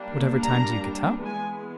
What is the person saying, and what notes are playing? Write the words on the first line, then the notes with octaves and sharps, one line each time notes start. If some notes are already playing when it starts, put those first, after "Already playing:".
"Whatever time do you get up?"
Already playing: G3 A#3 D4
A#5
E3 G#3 B3 G#5